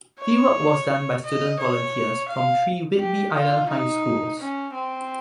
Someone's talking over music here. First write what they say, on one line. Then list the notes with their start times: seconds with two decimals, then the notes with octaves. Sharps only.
The work was done by student volunteers from three Whidbey Island high schools.
0.20 C#5
1.24 D#5
1.59 C#5
2.29 F5
2.99 G4
3.34 F4
3.69 D#4
4.40 C#4
4.74 C4